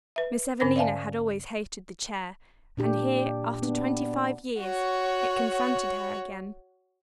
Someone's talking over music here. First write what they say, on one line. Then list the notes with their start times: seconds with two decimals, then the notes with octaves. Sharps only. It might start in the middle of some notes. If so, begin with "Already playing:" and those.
Miss Evelina had always hated the chair, and here, after twenty-five years, it confronted her again.
0.16 B4 E5
0.60 G#2 D3 C#4 A#4 C5 A#6
0.76 D5 E5 F5 G#5 A5
2.77 A#2 D4 G4
3.62 B3 D4
4.60 F#4 C#5